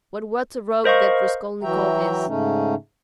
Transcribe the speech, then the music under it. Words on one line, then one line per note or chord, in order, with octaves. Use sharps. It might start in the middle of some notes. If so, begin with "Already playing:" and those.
But what a rogue that Raskolnikov is!
A#4 C5 D#5 F5 C#6
E3 F#3 F#4 E5 G5 A#5
G#2 C#3 A3 C#4 D#4